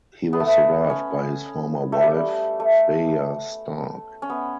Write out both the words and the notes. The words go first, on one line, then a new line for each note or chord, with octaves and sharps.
He was survived by his former wife, Freya Stark.
B3
A3
B3
C#4
A3
G3
A3
C#4
B3